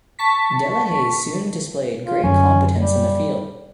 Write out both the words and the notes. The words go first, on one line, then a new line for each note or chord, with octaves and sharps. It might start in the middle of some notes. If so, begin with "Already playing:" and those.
Delehaye soon displayed great competence in the field.
A5 C#6 B6
F4
F#2 D3 F#3 C#4
G3